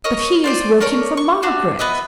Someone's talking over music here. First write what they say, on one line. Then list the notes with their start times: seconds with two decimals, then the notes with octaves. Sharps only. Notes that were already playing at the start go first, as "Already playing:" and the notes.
"But he is working for Margaret."
0.04 A#4 C#5 D#5
0.44 F4 C5 D5
0.80 A3 A#4 C#5 D5
1.17 C#6
1.42 D4 F#4 G4
1.79 B3 B4 D#5 E5